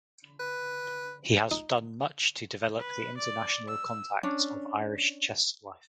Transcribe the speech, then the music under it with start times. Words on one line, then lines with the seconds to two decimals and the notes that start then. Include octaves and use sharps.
He has done much to develop the international contacts of Irish chess life.
0.40 B4
1.51 D#4
2.79 B4
3.17 D5
3.68 E6
4.23 C#4 D4